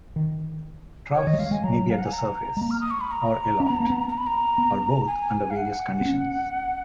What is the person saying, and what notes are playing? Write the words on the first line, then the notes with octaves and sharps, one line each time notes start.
Troughs may be at the surface, or aloft, or both under various conditions.
D#3
C#5
D#3 D#5
F#3
G#3 F5
G#3 G#5
F#3 A#5
F5
F#5
G#5
A#5
G#3
A#3
F6
D#6
C#6
B5
A#5
C#4
B3
A#3
B3
A#5
B5
A#5
B3
G#5
F5
F#5
B3
C#4